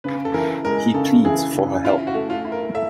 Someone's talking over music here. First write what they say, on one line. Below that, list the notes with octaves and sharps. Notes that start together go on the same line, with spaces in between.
He pleads for her help.
C#3 B4
A4
E3 A#4
G#3 A#4
C#3 A4
E3 G#4
C#3
E4 F4
F#4
A3
F4
E4
A#4
A3 E5